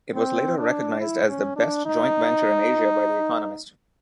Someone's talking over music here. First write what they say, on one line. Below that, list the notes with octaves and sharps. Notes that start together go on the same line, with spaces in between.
It was later recognized as the best joint venture in Asia by The Economist.
C4
D4
E4
C#4
D4
D#4